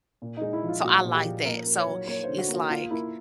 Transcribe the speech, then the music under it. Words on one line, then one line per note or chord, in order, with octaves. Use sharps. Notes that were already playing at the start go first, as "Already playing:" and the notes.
so I like that. So it's like
A#2
G#3 D#4
E4
F3
F4
A#2 F#4
A#2
G4
F3
A#3 A#4
A#3
C#5
F#3
A#3 C#5
D3 C5
F#4
A#3
F#4
A#3 F4
A#3 E4